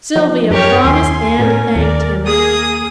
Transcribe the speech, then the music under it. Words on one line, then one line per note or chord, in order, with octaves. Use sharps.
Sylvia promised and thanked him.
F3
F#2 G4 A#4 C#5 G5
D#2 G#5 C6
A2 A3 C#4 A#4
D#2 A#4 D5
A#3 G#4 D#6